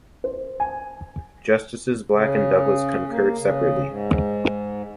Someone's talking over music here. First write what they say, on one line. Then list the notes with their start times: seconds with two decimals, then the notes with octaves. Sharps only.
Justices Black and Douglas concurred separately.
0.24 C5
0.60 G#5
2.12 C#3
3.10 A#3
3.39 C#3
3.88 G#2